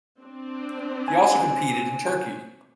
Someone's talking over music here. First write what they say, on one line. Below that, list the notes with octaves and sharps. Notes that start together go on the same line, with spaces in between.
He also competed in Turkey.
C4 D4
G#5